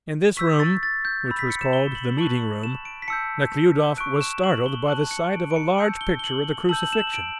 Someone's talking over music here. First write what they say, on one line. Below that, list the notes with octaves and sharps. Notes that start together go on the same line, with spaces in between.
In this room, which was called the meeting-room, Nekhludoff was startled by the sight of a large picture of the Crucifixion.
C#6 E6 G6 B6
A6
A6
G6
B5 E6 G6
B6
C#7
E7
G7
F#7
A5 C#6 F#6 F#7
E7
D7
B6
A5 E6 G6 C#7
C#6 F#6 D7
E7
F#7
G7
A5 C#6 F#6 F#7
C#7
D7
D7
C#7
A5 E6 G6 C#7
G7
G7
F#7
A5 E6 G6 F#7
F#7
E7
F#7
D7